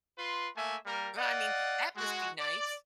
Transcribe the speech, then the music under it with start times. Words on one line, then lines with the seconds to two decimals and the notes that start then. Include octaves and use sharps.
Well, I mean, that must be nice.
0.18 F4 B4 C6
0.56 A3 A#3 E5 G#5
0.86 G3 A#3 A#4
1.17 D5 D#5 F5 F#5
1.96 G#3 F#4
2.39 D5